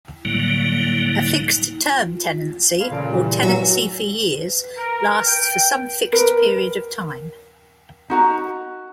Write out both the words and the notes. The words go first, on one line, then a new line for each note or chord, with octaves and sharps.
A fixed-term tenancy or tenancy for years lasts for some fixed period of time.
A2 D3 F#3 G3 A#3
F2 E4 F5
A#2 C#3 A4 D7
E3 G3
F#3 F#4 G#5 E6
A#4
G5
A#4 B4
D#4 F#4 A#5